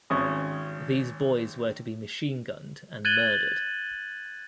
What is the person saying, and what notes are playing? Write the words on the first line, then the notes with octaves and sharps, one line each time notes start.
These boys were to be machine gunned and murdered.
G#1 C#4 C#6 D#6
F#6 G#6 A6 D#7 F#7 G7